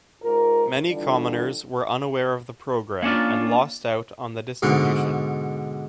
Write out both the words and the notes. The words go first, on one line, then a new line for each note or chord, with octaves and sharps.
Many commoners were unaware of the program and lost out on the distribution.
G#2 F4 A#4
D3 E3 G3 D4 F4
A#3 C#4 D4 F4
G#2 B2 D3